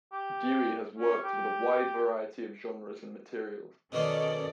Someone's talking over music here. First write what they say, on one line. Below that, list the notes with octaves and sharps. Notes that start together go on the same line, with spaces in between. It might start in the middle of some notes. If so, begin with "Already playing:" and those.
Dewey has worked with a wide variety of genres and materials.
G4
C#4
G4
B2 D#3 A#3 C#4 A4 D5